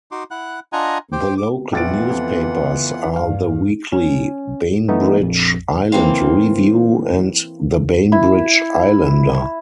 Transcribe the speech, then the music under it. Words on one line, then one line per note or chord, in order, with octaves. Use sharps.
The local newspapers are the weekly "Bainbridge Island Review" and the "Bainbridge Islander".
D#4 F#4 C6 D6
E4 F#5 F#6
D4 F4 D#5 F#5 G#5 A#5
G4 C5 G5 D6
D6
A#1 E3 B3 F4 F#5 A6 D7
F2
G2 F5
C#4
E3 A3 B3 D#4
A#1 F2
E3 A#3 C4 F5
E4